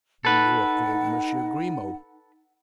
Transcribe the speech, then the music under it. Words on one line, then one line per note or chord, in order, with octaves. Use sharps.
"Then you are called Monsieur Grimaud?"
D#4 A4 B4 F#5